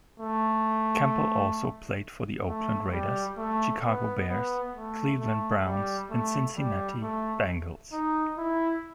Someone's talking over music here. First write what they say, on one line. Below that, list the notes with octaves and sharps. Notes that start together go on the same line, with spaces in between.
Campbell also played for the Oakland Raiders, Chicago Bears, Cleveland Browns, and Cincinnati Bengals.
A3
A3
G3
A3
B3
B3
A3
A3
G3
A3
G3
A3
D#4
E4